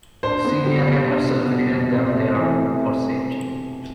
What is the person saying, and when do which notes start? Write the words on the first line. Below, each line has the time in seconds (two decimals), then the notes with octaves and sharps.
Celia had herself hidden them there for safety.
0.23 D4 C5
0.45 B3
0.66 G3
0.87 B2
1.08 D4
1.29 B3
1.50 G3
1.71 B2
1.92 C3 C5
2.13 A3
2.35 E3
2.56 C3